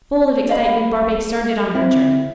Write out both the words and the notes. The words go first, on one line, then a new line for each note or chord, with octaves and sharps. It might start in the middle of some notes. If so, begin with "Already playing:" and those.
Full of excitement, Barbaik started on her journey.
D#5 F5 B5
C4 E4